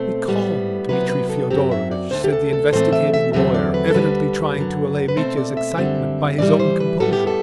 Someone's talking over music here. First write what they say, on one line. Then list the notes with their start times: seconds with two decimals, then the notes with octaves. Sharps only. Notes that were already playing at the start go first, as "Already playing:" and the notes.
"Be calm, Dmitri Fyodorovitch," said the investigating lawyer evidently trying to allay Mitya's excitement by his own composure.
Already playing: B2 A3 C4 C5
0.28 A2 G3 B3
0.89 C3 F#3 B3 B4
1.09 B4
1.30 A4
1.50 F#2 F#3 C4 G4
1.71 E5
1.91 D5
2.11 D2 D3 A3 C5
2.24 G4
2.32 A4
2.53 A4
2.72 A2 E3 A3 C4 C5
2.93 E5
3.14 E5
3.33 E2 D3 F#3 A3 C4 E5
3.54 D5
3.74 B4
3.90 A4
3.94 D2 D3 G3 B4
4.56 F#2 D3 F#3
5.08 B4
5.17 B2 A3 C4 C5
5.37 D5
5.57 E5
5.78 F#2 D3 G3 C4
6.38 A2 E3 G3 D5
6.59 C5
6.80 B4
7.00 A2 G3 B3 A4
7.13 G4
7.27 A4